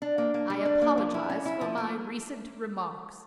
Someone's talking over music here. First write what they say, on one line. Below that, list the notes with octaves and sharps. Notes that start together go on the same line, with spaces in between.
I apologize for my recent remarks.
D4
A#3
A#3
G3
D4
A#3
F3
E4
C#4
E4
F3
A#3